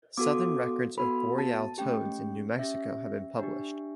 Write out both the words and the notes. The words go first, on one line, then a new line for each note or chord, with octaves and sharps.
Southern records of boreal toads in New Mexico have been published.
B3 F#4 A4 D6
B3 F#4 A4 B5
A5
A3 C#4 G4 G5
C#4 G4 E5
D4 G4